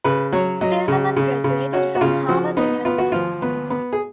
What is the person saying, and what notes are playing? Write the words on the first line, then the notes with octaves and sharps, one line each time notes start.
Silverman graduated from Harvard University.
C#3 B4
F#3 C#5
F#3 D#5
C#3
C#3
C#3
C#4 F#4
F#4
C#3 F4
F3 F#4
B3 D#4
B3 F4
F#4
F3 F4
B3
B3
G#4